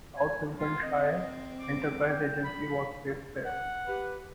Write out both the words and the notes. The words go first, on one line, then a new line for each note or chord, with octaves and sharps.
South Lincolnshire Enterprise Agency was based there.
G#5
F4
C4 D#5
D6
G5
B5
F#5
G4 B4